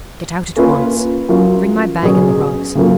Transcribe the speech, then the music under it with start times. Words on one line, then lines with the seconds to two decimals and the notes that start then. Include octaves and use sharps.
Get out at once! Bring my bag and the rugs!
0.56 A#3 C#4 F4 B4
1.29 F#3 C#4 F4 A#4
2.03 B2 F#3 C#4 G#4 B4
2.75 C#3 F#3 A#3 F4